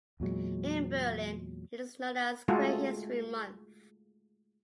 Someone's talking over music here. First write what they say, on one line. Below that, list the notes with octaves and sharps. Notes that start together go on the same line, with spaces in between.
In Berlin, It is known as Queer History Month.
E2 A#2 F#3 G#3
G#3 A3 F4 F#4 G#4 A4